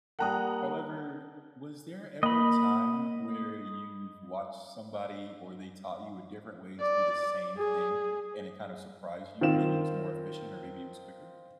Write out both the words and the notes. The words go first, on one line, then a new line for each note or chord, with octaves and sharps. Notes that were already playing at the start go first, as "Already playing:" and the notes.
However, was there ever a time where you've watched somebody, or they taught you a different way to do the same thing, and it kinda surprised you, maybe it was more efficient or maybe it was quicker?
G3 A#3 F#5 G5 A5 A#5 D#6 F#6
A#3 D#5 B5
D5
G#4
D#3 C4 F4 E7